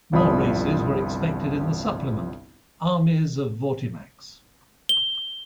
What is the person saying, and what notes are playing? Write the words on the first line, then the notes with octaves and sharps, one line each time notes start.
More races were expected in the supplement "Armies of Vortimax".
G1 C2 F3 D5 B5 D#6
G7